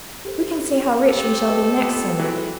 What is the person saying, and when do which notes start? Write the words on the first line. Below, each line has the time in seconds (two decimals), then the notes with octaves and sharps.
Who can say how rich we shall be next summer?
0.25 G4 A4 C5
1.00 C4 G4 A4 C5
1.46 B4 D#5 E6
1.81 B3 F4 G5
2.19 E3 F#3 G#3